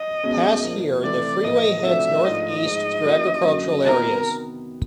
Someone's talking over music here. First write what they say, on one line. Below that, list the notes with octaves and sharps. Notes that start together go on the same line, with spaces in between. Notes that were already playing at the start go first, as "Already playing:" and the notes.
Past here, the freeway heads northeast through agricultural areas.
Already playing: D#5
E2 B2 G#3 C#4
A#2 F3 A#3
C3 E3 A3 D5
A2 F3 A#3 D#5
C3 F3 A3 D4 F#4 E5
G#2 F3 A3 D4 F4 D#5
G#2 F3 G#3
F#3 A#3 C#4 E4
F#2 D3 F#3 A#3 C#4
C3 D#3 F#3 B3 A#4